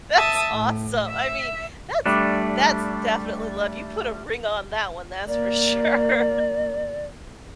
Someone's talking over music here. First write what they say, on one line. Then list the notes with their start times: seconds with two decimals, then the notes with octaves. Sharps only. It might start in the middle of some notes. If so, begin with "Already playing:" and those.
That's awesome. I mean that's that's definitely love, you put a ring on that one, that's for sure.
0.16 E5 A5 D#6
0.52 A2
1.07 E5
2.06 G3 A3 D4
5.27 A#3 D5